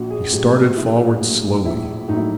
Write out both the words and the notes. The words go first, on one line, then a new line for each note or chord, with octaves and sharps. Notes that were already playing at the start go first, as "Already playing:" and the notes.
He started forward slowly.
Already playing: A#1 F#4
G#4
A2 F#3 G4
A#1 E4
A2 F#3
A#1 E4
A2 F#3 D#4 E4